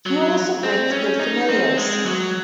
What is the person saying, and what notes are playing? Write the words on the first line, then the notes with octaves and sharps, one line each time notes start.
He also brings good familiars.
F#3
C4
C#4
D#4
C4
G#3
F#3